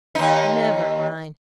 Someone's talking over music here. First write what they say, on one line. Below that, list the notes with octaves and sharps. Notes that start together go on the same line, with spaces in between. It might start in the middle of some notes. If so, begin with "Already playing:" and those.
'Never mind.
D#2 D#4